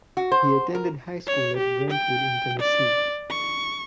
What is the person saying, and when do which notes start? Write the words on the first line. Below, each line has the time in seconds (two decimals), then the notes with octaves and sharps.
He attended high school at Brentwood in Tennessee.
0.17 F#4
0.32 C5
0.74 A#4
1.27 C#5
1.57 G4
1.90 G5
2.59 D5
3.30 C#6